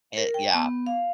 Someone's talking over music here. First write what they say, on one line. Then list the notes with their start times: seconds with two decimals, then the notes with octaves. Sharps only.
it yeah.
0.17 A#4
0.34 G5
0.54 B3
0.86 F5